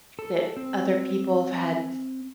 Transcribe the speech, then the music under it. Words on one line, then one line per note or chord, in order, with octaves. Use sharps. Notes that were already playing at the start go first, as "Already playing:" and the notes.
that other people have had
A4
C4